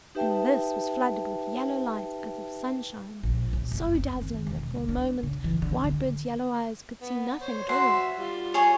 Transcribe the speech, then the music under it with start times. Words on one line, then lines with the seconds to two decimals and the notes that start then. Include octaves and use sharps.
And this was flooded with yellow light as of sunshine, so dazzling that for a moment Whitebird's yellow eyes could see nothing at all.
0.15 D#4 G4 B4 E5 G5 A5
3.23 A#1
3.53 B1
3.71 F#1
3.95 C4
4.21 D#3
4.47 E1
4.75 D2
4.89 D4
5.23 C#3
5.44 E3
5.62 D3
5.84 D3
7.01 B3
7.41 C5 C#5
7.69 F#4 E5 F#5 C6
8.17 G3 F4
8.54 G#4 C#5